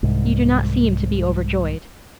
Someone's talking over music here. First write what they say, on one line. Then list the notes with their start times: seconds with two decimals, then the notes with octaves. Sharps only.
'You do not seem to be overjoyed.'
0.03 C2 G#2